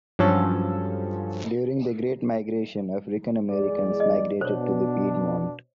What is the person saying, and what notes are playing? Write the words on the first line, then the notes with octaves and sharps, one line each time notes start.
During the Great Migration, African Americans migrated to the Piedmont.
G2 F3 F#3 C#4 A4
E2 G#3 G#4 D5
D#5
B2 D4 C5 C#5